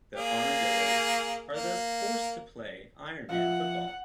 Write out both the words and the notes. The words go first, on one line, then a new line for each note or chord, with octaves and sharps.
The Armadillos are thus forced to play ironman football.
A#3 G#4
A#3
F3 E5 F#5